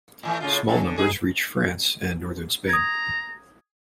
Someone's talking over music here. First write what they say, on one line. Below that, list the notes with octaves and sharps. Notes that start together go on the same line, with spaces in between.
Small numbers reach France and northern Spain.
A2 E3 A3
A2 C#3 F4
F2 A4
D3
B3 D#4 G#4
A#5 D#6 G#6